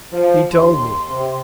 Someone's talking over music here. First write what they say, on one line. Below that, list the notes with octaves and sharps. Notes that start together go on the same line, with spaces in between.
He told me.
F3
D#2 C6
C3